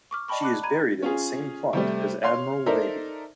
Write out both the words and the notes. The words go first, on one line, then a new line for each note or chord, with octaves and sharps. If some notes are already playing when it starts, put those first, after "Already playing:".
She is buried in the same plot as Admiral Raby.
C#6 D6 F6
D5 D#5 G5 A5 B5 C#6
A5 B5 D6 F#6
A#5 B5 G#6 D#7
C#4 F4 G#4
C3 G3 A3
C#5 F5 C6
D#4 A4 A#4 C5 D5 E5